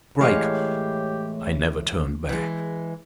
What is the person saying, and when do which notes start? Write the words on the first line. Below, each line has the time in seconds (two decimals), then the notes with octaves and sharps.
Strike!' I never turned back.
0.21 A2 E3 G#3 G4 C#5 F5
2.29 E3 G#3